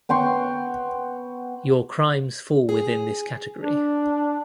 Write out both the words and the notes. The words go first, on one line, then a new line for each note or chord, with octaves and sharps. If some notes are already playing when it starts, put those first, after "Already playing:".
Your crimes fall within this category.
B3 G5 C6 C#6
G#4
D4